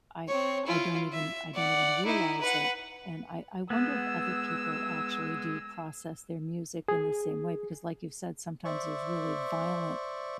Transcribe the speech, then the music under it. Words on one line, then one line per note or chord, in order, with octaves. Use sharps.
I I don't even I don't even realize it, and I I wonder if other people actually do process their music in the same way, because like you've said, sometimes there's really violent
C4 C#5
E4 F4
E5
D5 F#5
D#4 E4
B4 F#5
G#3 B3 E6
G#4
C5 D5 E5 C#6